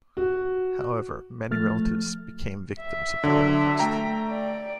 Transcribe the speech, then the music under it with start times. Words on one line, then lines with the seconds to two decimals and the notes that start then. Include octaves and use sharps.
However, many relatives became victims of the Holocaust.
0.17 F#4
1.51 F3 A3 F6 A6
2.81 E5
3.24 D3 F#3
3.79 A3 G5 A#5
4.31 D5